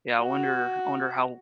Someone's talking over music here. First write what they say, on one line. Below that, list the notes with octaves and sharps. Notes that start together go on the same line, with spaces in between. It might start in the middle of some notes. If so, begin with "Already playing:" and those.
Yeah, I wonder I wonder how
F#4